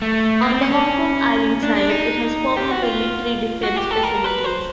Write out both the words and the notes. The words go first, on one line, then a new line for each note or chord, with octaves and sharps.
On the Hong Kong Island side, it has former military defence facilities.
A3
A#3
C4
C#4
C#4
D4
D4
D#4
G4
F#4
F4
F#4
G4
A4
A#4
B4
C5